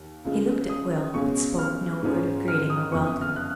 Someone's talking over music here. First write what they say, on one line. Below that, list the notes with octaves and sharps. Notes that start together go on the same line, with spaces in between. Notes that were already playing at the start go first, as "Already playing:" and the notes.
He looked at Will, but spoke no word of greeting or welcome.
Already playing: D#2
C#2 C#3 F3 G#3
D#6
C#2 B2 G#3 C#4 C#6
F6
G#2 F3 G#3 C#4
F6
D#6
F#1 F2 F3 B3 C#6
D#6
F6
F#6